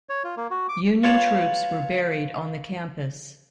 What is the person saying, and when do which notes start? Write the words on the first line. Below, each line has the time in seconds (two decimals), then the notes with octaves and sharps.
Union troops were buried on the campus.
0.09 C#5
0.24 F4
0.37 A#3
0.51 F#4
0.69 D6
1.03 F4 B4 C#5 F5 A5 B5